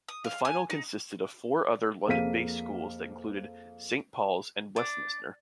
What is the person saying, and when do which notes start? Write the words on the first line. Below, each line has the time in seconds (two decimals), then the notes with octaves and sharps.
The final consisted of four other London-based schools that included Saint Paul's and Westminster.
0.09 D#6
0.24 F5
0.45 G#5
0.70 D#4
2.07 F2 A#3 G#4 F5 B6 D#7
4.76 D4